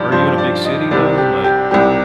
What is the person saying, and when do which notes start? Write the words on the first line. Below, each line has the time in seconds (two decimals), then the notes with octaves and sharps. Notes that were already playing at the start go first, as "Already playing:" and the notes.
Are you in a big city though, like
Already playing: G2 F3 F4 G4 D5
0.12 G2 F3 C5
0.38 D5
0.65 D#5
0.91 C2 C3 G3 D5
1.18 G4
1.44 G4
1.71 C2 C3 G3 G4